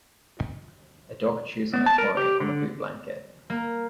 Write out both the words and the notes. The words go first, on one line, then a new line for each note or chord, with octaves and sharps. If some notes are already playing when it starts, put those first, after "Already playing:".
A dog chews on a toy on a blue blanket.
B3
A5
A#4
G4
D3
A#3